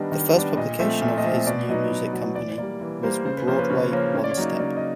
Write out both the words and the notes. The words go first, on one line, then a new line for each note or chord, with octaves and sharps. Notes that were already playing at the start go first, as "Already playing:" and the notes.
The first publication of his new music company was "Broadway One-Step".
Already playing: D#3 G3 B3 D4 D#5
D#3
G3 B3 D4
A#2 D#5
F3 A3 C4 E5
A#2 E5
D#5
F3 A3 C4 E5
B2 D5
F#3 B3 D#4 D#5
B2
F#3 B3 D#4
E3 D5
G3 A#3 D5
E3
G3 A#3 C5
C#3 C5
B4
F3 A#3 C#4 C5
B4
C#3 C#5
F3 A#3 C#4 C#5
C#3 C#5
D5
C#5
F#3 A#3 D#4
C#3 D5
D#5